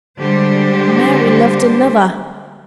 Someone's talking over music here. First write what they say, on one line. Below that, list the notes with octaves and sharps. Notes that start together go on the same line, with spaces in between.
Mary loved another!
D3 G3 G#3 D4 G4 C5